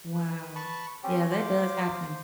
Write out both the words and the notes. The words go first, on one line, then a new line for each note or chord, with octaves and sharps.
Wow. Yeah, that does happen.
B4
A5 B5 C#6
C4 C#4 G4
C5 F5 F#5 D6